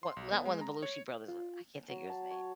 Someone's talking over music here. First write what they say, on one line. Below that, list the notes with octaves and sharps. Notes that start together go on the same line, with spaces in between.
what not one of the Belushi brothers, uh, I can't think of his name.
C6
B1
B3
G#3
A#5
C#5
F4
F#3
A5
C#5